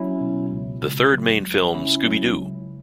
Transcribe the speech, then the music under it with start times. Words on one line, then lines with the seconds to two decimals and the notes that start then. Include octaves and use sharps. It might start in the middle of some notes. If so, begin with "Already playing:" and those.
The third main film Scooby-Doo!
Already playing: F#3 C#4 E4
0.21 B2
0.52 C#2
0.82 C#2
1.13 F#3
1.43 C#2
1.74 C#2 C#4 E4
2.05 F#3
2.36 C#2